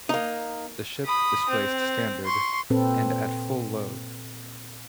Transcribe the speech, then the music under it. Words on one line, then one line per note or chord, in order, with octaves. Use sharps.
The ship displaced standard, and at full load.
A#3 D#4
B5 D#6
C4
C6 C#6
A#2 C4 A4 B4